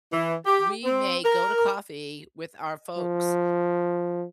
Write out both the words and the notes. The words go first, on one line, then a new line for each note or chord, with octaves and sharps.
we may go to coffee with our folks.
E3
G4
C4
A#4
F3